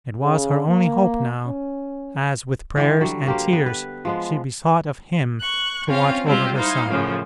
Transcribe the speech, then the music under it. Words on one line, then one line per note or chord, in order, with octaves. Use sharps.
It was her only hope now, as with prayers and tears she besought of Him to watch over her son.
C#3
A#3
C#4
D3 E3 G3 G4
F#3 G3
A#3 G4 A#4 C5
B3
B4
F3 G#3 B3
C#6 F#6
C4 C#4 F4 F5
G3 G#3 C4 F4 G4
D#4 E4 C5 F5
F#2 A2 C#3 F3